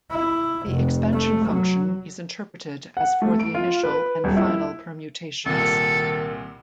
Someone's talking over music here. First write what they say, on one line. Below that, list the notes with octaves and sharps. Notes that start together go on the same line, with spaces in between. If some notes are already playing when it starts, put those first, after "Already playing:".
The expansion function is interpreted as for the initial and final permutations.
E4
F1
A3
F#3
F#5
A3
D7
F4
B4
D#1
E4
C2 A#2 D#3 A4